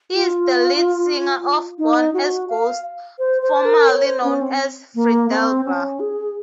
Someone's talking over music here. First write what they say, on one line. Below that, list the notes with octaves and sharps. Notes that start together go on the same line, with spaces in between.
He is the lead singer of Born As Ghosts, formerly known as Fredalba.
F4
D#4
F#4
F5
C5
C5
A#4
C#5
C5
C#4
C4
A#3
C4
C#4
G#4